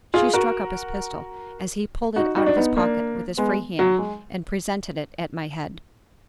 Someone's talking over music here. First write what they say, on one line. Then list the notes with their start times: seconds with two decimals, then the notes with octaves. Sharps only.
She struck up his pistol as he pulled it out of his pocket with his free hand and presented it at my head.
0.14 F4 G#4
0.34 F#4 A#4
2.16 D#4 F#4
2.36 D#4 F#4
2.46 D4
2.57 B3 D#4
2.76 A#3 D4
3.38 G#3 B3
3.79 F#3
3.98 G#3